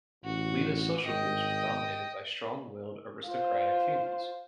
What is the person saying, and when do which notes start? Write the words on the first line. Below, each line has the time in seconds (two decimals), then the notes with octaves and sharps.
Lina's social groups were dominated by strong-willed "aristocratic" females.
0.24 A1 F#4
1.03 G#1 D#5 G5
3.27 F4 C5